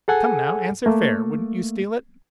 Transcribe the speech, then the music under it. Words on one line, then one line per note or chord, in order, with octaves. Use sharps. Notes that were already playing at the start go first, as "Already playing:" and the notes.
Come, now, answer fair--wouldn't you steal it?
G#4 A4 F#5 G#5
A3 A#3